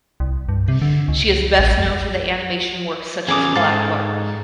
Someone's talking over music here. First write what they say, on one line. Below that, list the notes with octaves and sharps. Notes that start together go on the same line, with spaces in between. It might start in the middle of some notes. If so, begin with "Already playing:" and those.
She is best known for the animation works such as "Black Barbie".
C2
G2
C3
D3
C#2
A1
F2
E2 C#4 G#4 D6 D#6
G#2 A4 F5